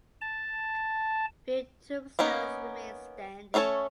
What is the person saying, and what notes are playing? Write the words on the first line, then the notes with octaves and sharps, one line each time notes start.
Few tombstones remain standing.
A5
A#3 B3 C#4 D#4
A3 C#4 G#4 A4 C#5